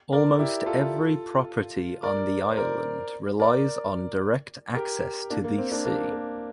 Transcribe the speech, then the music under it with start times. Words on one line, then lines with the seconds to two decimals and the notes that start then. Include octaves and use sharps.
Almost every property on the Island relies on direct access to the sea.
0.12 A#4 D5
0.39 E4 G4
0.66 F4 A4
2.03 A#4 D5
2.51 C5
2.57 A#4 D5
3.39 A#4 D5
4.75 G4 A#4
5.30 A#3 D4
5.44 A#3
5.58 C4
5.71 A#3 D4
5.85 A#3 D4
6.12 A#3